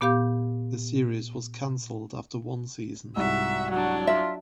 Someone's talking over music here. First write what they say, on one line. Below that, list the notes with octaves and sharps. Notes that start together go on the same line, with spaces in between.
The series was canceled after one season.
A#2 B3 G4 F5 D6 G6
C2 G#2 F#4 E5 E6
F#3 D4 F#4
F4 E5